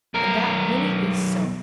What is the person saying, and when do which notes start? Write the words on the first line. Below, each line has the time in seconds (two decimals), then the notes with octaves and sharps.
And that really is so.
0.15 B1 A#4